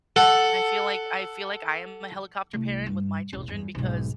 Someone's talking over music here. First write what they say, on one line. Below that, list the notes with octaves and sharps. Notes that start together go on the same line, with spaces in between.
I feel like I feel like I am a helicopter parent with my children because
A4 F#5
C2 A3
G2
E1 A1
E2 G2
B1 G#2